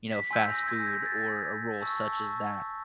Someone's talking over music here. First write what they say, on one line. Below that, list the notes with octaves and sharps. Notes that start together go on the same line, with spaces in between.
you know, fast food or a role such as that,
B6
G#5 C6 E6 G6 B6
A#6
G#6
G#6
A6
A5 C#6 E6